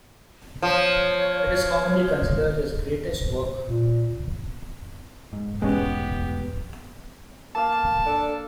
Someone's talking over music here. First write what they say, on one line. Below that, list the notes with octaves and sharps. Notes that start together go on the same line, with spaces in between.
It is commonly considered his greatest work.
F3 C#5
A#2
G#2
E1 A1 G#2 G#3 B3 C#4 G4
A#3 F5 A5
D4 A4